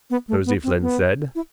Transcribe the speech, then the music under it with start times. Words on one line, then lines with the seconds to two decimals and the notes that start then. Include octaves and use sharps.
Nosey Flynn said.
0.10 B3
0.28 A3
0.46 B3
0.63 C4
0.81 B3
1.35 E4